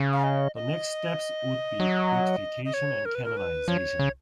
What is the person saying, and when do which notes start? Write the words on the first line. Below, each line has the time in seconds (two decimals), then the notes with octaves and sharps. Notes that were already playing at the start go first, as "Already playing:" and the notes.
The next steps would be beatification and canonization.
Already playing: C#3
0.13 F5
0.24 D#5
0.55 D#5
1.80 F#3
2.65 D#5
2.74 C#5
3.05 A#4
3.15 B4
3.24 A#4
3.37 B4
3.68 F3 C#5
3.99 C#3